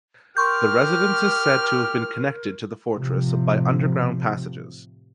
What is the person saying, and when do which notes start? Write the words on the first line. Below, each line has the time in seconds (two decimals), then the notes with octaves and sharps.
The residence is said to have been connected to the fortress by underground passages.
0.37 G4 A#4 C6 C#6 F6 G6
2.93 A2 C3 F3